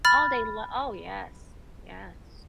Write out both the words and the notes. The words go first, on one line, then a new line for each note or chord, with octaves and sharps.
Oh, they lo Oh, yes. Yes.
B5 F6 A6